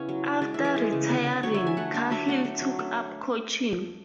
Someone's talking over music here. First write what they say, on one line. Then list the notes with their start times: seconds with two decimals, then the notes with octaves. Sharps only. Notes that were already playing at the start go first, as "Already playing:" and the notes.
After retiring, Cahill took up coaching.
Already playing: C#3 B3 C#4 E4
0.09 F#3
0.26 F#3
0.41 G#3 D5
0.54 E3 E5
0.65 D5
0.76 G#3
0.92 C#3
1.10 D3
1.26 D3
1.43 F#3 C#5
1.54 E5
1.61 D3
1.67 G#5
1.77 A3 F#5
1.94 D4
2.11 F#3 E5
2.28 A3 F#5
2.45 A3
2.61 F#3
2.79 A3